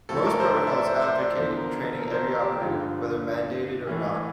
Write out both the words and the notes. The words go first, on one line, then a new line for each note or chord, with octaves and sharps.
Most protocols advocate training every operator, whether mandated or not.
A2 F3 A4
A#4
C5
E5
E5
D5
C5
C5
D5
E2 D3 F3 C5
A#4
A4
A#4
C5
A#4
G4
G2 D3 F3 F4
A2 E3